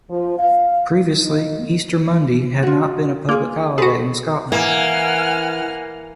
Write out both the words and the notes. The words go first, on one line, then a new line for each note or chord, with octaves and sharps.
Previously Easter Monday had not been a public holiday in Scotland.
F3
F5
D#4
F4 F#4
A#3 F4 G#4
F#4 G#4 A4 B4 C5
E3 A#3 F#5 G#5 F6